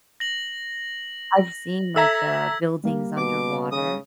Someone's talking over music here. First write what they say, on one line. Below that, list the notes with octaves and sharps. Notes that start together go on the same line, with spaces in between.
I've seen, like, the buildings underwater.
A#6 F#7
A4 E5 A#5 E6 G#6 B6
G3 A#3
B2 D6
C#3 D#6